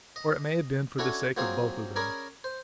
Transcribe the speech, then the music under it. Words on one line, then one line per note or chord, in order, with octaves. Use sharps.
Or it may have been for the sake of both of them.
D#5
C#4 D4 E4 F#4 A4 C#5
F#3 A#3 C4 F4 G#4
C#4 G#4 A#4 D5 B5
C5